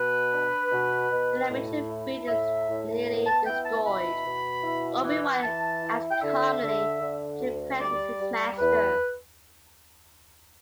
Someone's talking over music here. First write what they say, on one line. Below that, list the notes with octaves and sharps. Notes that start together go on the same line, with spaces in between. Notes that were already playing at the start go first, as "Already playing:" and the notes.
When a major building is nearly destroyed, Obi-Wan acts calmly, which impresses his master.
Already playing: B2 B4
D4
B2
B2
A2
E4
A2 E5
A2
B3
A5
E4 G5
A5
B2 B5
B2
E4
E3
E3 A5
E4
G5
D3 E5
D3
D3
D2
G3 D5
G3
E2 B4